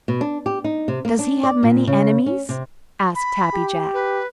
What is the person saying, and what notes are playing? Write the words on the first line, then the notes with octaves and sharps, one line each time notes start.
"Does he have many enemies?" asked Happy Jack.
B2
D4
G4
D#4
C3
A#3
D4
D5
A#2
C#3
C#4
C3
B5
G4
B4